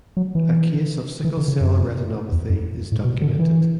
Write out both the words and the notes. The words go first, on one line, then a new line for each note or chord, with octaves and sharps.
A case of sickle cell retinopathy is documented.
F#3
E3
E3
D3
C#3
F#2
E2
F#2
A2
B2
D3
E3